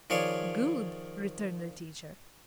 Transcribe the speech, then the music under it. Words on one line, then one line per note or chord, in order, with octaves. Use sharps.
"Good!" returned the teacher.
D#3 F3 G#4 C#5 D5